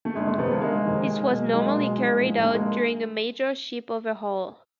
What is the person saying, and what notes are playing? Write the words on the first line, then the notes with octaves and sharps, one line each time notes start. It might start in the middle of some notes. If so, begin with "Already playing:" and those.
This was normally carried out during a major ship overhaul.
A3
G1 G#3
A3
F2 C3 D#3 A3 B3
G#3 A#3
G1 G#3 A#3
F2 C3 D#3
B1
B2 F#3
B1 G#3 A#3
B2 F#3
A#1
A2 F3
A#1 A3
G#3 A#3